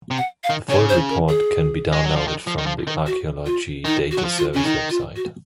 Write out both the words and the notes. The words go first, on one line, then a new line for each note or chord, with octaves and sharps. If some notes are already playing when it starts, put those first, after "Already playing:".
The full report can be downloaded from the Archaeology Data Service website.
C3
F#5
F5
D#3
C#3 C#5
C5
A#4
G#4
G#3
F#3
F3
D#3
F3
D#3
F3
D#3
F#4
F4
D#3 D#4
F#4
F#3
F3
F4
C#3 C#4
D#3 D#4
F4
F#4